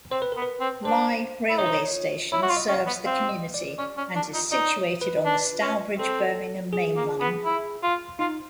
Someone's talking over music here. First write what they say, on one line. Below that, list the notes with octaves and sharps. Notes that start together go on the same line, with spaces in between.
Lye railway station serves the community, and is situated on the Stourbridge-Birmingham mainline.
C4 C5
B4
B3 A#4
B4
C4
D4 C5
E4
D#4 C#5
C5
C#5
E4 C#5
F#4
F4
D#5
C#4
F5
F#5
B3
C4 F5
D#5
D5
C#4 D5
C#4
D4
D#4
D#4 D5
C#5
B4
D4
C#4
C4 A4
G#4
A#3
B3
E4
F4
D#4 F4